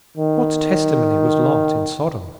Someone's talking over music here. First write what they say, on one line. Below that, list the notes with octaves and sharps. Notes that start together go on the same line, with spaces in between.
What testimony was Lot in Sodom?
D#3